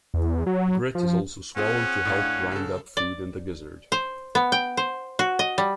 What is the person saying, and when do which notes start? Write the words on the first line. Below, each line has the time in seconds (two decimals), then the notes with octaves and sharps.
Grit is also swallowed to help grind up food in the gizzard.
0.14 E2
0.46 F#3
0.95 F3
1.57 C4 C#4 F4 G#4 F#5
2.05 A2 D4 F5
2.52 C#3 A4
2.97 D5
3.92 C5
4.35 B3
4.52 G5
4.77 C5
5.19 F#4
5.39 D#5
5.58 G3